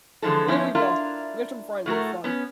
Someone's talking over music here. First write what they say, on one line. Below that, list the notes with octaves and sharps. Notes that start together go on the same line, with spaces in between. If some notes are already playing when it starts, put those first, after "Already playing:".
Play Repo, with some friends, it's fun.
D3 E3 F3 G#3 A4
F3 B3 C#4 D#4 E4
D4 E4 F4 A#4
A2 A3 F#4 A#4
B3 C#4